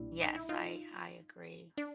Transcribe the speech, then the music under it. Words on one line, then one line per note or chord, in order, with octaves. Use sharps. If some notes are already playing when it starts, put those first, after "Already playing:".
Yes, I I agree.
Already playing: B1 A#2 G3 D4 E4
D#4
E4
D#4 F4
D4